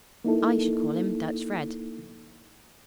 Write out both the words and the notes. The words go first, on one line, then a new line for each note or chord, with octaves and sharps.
"I should call him Dutch Fred."
A#3 D#4 E4 A4